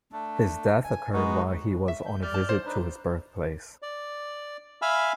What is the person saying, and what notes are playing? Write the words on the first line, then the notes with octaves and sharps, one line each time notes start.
His death occurred while he was on a visit to his birthplace.
A3 D4
G#5
G#3 B3 D#4 F#4
E5
G6
G3 D5 F6 G6
A5
C5
D4 D#4 B4
D5
E5 F5 G#5 B5 E6 F6